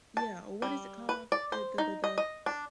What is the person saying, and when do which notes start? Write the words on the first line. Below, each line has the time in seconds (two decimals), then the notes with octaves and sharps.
Yeah, or, what is it called? The the the the
0.17 A5
0.62 G3
1.09 B4
1.32 D5
1.52 C5
1.78 D#4
2.04 D#5
2.18 D#5
2.46 D4